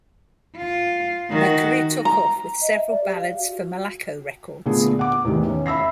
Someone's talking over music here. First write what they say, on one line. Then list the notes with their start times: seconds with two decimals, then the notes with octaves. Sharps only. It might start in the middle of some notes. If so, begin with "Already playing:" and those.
Her career took off with several ballads for Malaco Records.
0.57 F4
1.30 D#3 F#4
2.05 A#5
2.61 D#5
2.74 E5
2.90 D5
3.04 G4
3.18 F5
3.39 F#4
3.54 F#4
4.66 A#2 D3 A3 B3 G#4
4.99 F#5 D6
5.25 E2 A2 C3 D#3
5.49 C#4
5.66 E5 B5 E6 A#6 C7